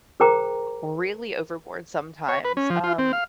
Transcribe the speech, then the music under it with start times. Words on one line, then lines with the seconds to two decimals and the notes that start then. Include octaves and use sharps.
really overboard sometimes, um,
0.20 G#4 A#4 C5 G5 A#5 D6
2.28 C#5
2.45 B4
2.57 C#4
2.70 F3
2.84 F4
2.99 C4
3.13 F5